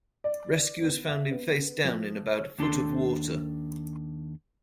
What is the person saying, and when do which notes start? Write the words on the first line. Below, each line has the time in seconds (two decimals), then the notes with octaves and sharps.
Rescuers found him face down in about a foot of water.
0.24 D5
0.82 B3
1.08 E5
1.31 B3
1.84 F3
2.36 C#5
2.58 D#2 D4 A4 C6